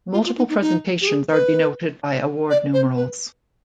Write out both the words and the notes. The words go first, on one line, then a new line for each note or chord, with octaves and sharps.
Multiple presentations are denoted by award numerals.
F4
F4
D#4
D#4
D#4
G4
G#4
B4
D5
C5
B4